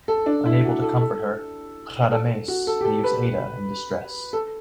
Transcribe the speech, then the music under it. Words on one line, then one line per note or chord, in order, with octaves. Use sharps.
Unable to comfort her, Radames leaves Aida in distress.
A4
D4
E4
F#4
A4
A4
A4
F#4
A4
G4
A4
B4
A4